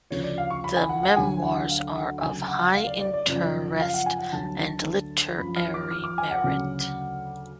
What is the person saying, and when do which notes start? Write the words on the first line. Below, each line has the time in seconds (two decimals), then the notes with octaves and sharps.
The "Memoirs" are of high interest and literary merit.
0.10 D2 C#3 F3 C#5
0.23 D5
0.38 F5
0.50 C#6
0.64 B5
0.76 G#5
0.89 F#5
1.03 F#5
1.16 D2 D3 F#3 G#5
1.42 F#5
1.69 F5
1.95 F#5
2.21 D2 C#3 F#3 G#5
2.48 F#5
2.75 F5
2.87 D5
3.01 D5
3.14 D5
3.27 F#2 C#3 F3 D5
3.80 F5
3.94 F#5
4.06 G#5
4.19 F#5
4.33 D2 D3 F#3 A5
5.38 F#2 F3 B5
5.56 F6
5.74 D6
5.91 F6
6.04 D6
6.18 G#5
6.31 F#5
6.44 D2 C#3 F#3